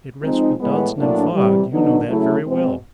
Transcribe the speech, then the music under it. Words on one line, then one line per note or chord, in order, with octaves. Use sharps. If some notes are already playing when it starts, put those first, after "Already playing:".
'It rests with Dodson and Fogg; you know that very well.'
F3 G#3 C4 D#4
A2 E3 G#3 B3
A2 F#3 A#3 D4
C3 E3 G3
D3 F#3 B3 D#4
C#3 F#3 A3 C#4 E4
B2 G#3 C4